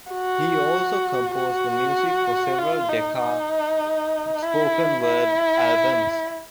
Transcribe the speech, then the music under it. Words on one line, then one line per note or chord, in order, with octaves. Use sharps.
He also composed the music for several Decca spoken word albums.
F#4
F#4
F4
D#4
D#4
E4
E4